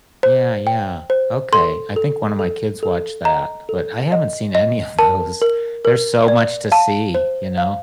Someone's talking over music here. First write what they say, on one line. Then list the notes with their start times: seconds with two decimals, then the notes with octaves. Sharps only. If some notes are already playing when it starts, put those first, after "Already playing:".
Yeah, yeah, okay, I think one of my kids watched that, but I haven't seen any of those. There's so much to see, you know?
0.23 C5
0.67 G5
1.10 C5
1.52 A4 C6
1.96 A4
2.39 A4
2.83 A4
3.25 D#5 A#5
3.69 A4
4.12 D#5
4.55 D#5
4.99 A#4 A5
5.42 A#4
5.85 A#4
6.28 D5
6.72 F5 A5
7.14 C5
7.58 F5